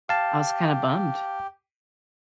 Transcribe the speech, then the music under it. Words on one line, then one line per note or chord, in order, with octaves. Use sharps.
I was kinda bummed.
G4 F5 A5